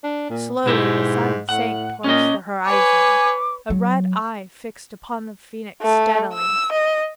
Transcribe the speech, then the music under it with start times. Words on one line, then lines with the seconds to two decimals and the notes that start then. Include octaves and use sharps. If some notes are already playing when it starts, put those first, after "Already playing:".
Slowly the Sun sank towards the horizon, a red eye fixed upon the Phoenix steadily.
0.04 D4
0.30 A#2
0.66 G#2 B2 E4 G4
1.49 A2 F#5
2.04 A#2 C#4 D#5
2.65 B4 C#5 G#5 D6
3.70 F#3
5.82 A3
6.34 E6
6.72 D#5